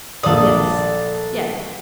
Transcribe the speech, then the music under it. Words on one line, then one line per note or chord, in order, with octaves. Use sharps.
Yes, yes.
A#1 A4 D5 D#6